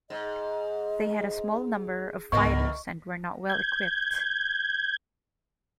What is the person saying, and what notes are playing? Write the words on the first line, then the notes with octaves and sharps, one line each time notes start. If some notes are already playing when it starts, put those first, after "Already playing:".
They had a small number of fighters and were not well equipped.
G#2 D#5
C#2 G#2 D3 E3 A#3 B3 D#5 C#6
G6 G#6